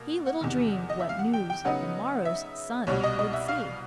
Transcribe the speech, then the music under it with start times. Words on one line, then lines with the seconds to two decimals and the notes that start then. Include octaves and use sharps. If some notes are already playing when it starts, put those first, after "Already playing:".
He little dreamed what news the morrow's sun would see.
Already playing: B2 A#3
0.26 F#5
0.41 E2 C3 D#3
0.90 D#5
1.00 E5
1.09 F5
1.19 F#5
1.33 G5
1.50 G5
1.65 C#3 F#3 B3 D#4 F#5
2.25 E5
2.87 C2 B2 G3 C#5
3.03 D#5
3.19 D#5
3.33 E5
3.48 F5